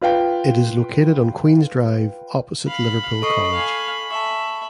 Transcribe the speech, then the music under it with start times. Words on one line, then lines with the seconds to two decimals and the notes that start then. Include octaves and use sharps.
It is located on Queens Drive opposite Liverpool College.
0.01 F4 B4 F5 G5
2.68 F5 B5
3.22 A4 D#5 C#6 C7
3.52 F5 G#5
4.11 E5 A5 C#6